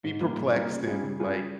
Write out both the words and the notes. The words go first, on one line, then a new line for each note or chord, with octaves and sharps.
be perplexed and, like,
G#2
G3 A#3 F4
G#2
G3 A#3 F4
C#3
G3 C#4 F4 G#4
C#3
G3 C#4 F4 G#4